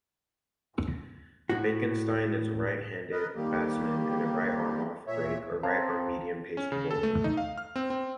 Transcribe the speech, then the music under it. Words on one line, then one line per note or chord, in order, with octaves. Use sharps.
Benkenstein is a right-handed batsman, and a right-arm off-break or right-arm medium paced bowler.
A2 F#4
A#4 B4 D#5
D#3 G3 A#3 G4
A#2 C#5 E5
C4 F5 A5 A#5
C#4
C#3
A4
A3
D#4
F5
F6
C4
C4